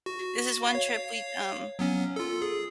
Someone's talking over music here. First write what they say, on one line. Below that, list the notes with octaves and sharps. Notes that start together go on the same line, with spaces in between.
This is one trip we, um
F#4
C#5 F5
F#3 B3 C#4
F4 A4
G#4